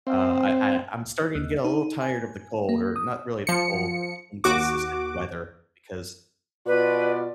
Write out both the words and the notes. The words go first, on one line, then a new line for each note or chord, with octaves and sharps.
uh, I I I'm starting to get a little tired of the cold, or not really the cold, but the inconsistent weather, because
C4
D#2
D#4
G#5
A#3
D#6
F3 C#7
D#2 F#4 D6
B2 F4 B4 D5